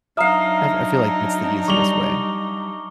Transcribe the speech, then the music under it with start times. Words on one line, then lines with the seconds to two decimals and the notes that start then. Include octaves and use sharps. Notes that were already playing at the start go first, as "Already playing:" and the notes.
I f I feel like that's the easiest way.
0.17 F#3 D4 D#4 E5 F5 A#5 D#6 F6
1.68 G3 C#6 D6 F7 G7